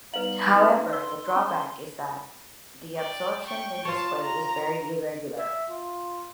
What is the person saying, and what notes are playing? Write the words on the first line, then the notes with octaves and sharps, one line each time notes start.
However, the drawback is that the absorption in this way is very irregular.
G3 B3 D#4 B4 F5 F#7
C4 C#4 D#4 F4 B4
C6 E6
C#4
D5 G5
G5 C#6
F4 C#5 A5
A#5
E5
F4